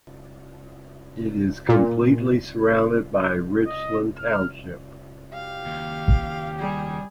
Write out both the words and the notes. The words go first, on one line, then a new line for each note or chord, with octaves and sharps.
It is completely surrounded by Richland Township.
A#2
D#5
F6
G4 F5
D#2
G3 G#4